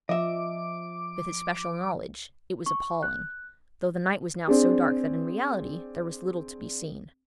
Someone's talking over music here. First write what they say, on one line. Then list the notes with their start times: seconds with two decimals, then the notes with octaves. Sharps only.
With his special knowledge, it was appalling--though the night was now so dark that in reality there was little to be seen.
0.09 F3 D#5 E5 D6
2.66 C#6
3.03 F#6
4.48 C4 D4 G#4